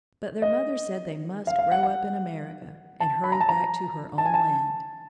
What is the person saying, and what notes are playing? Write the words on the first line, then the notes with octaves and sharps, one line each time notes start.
But their mother said they must grow up in America and hurried back to her own land.
D#5
F5
F5
F#5
F#5
A5
B5
A#5
A5
A#5
A5
G#5
A5